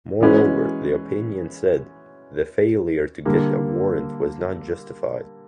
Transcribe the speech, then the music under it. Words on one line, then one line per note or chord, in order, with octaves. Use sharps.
Moreover, the opinion said, the failure to get a warrant was not justified.
E3 G#3 C#4 F#4 B4
D3 G3 A#3